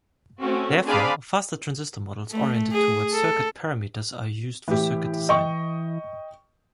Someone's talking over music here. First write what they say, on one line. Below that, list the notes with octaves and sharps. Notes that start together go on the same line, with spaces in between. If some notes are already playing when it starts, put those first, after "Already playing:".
Therefore, faster transistor models oriented toward circuit parameters are used for circuit design.
A3 C4 C#4 F#4
C4 D4 G#4 D5 F5 B5
A3
G#4
A4
A2 E3 G4
D#5 G5 C#6